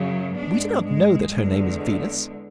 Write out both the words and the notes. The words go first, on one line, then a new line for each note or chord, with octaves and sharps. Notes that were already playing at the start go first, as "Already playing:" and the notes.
We do not know that her name is Venus.
Already playing: F#2 C#3 F#3
G#2 G#3 B3 D4
G#3
E2 D3 G#3